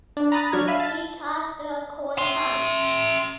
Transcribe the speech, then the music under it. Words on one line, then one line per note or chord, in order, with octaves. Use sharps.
We toss the coin times.
D4
A#5 B5 D#6 F#6 A6
F#3 D4 F#4 F6 G#6
E5 F5 B5 D#7
A5 A6
E5 C6